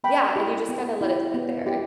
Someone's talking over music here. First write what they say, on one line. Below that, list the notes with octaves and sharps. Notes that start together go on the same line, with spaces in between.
Yeah, and you just, kinda let it sit there.
B3 G5 B5
E4 G4
B3
E4 G4
B3
E4 G4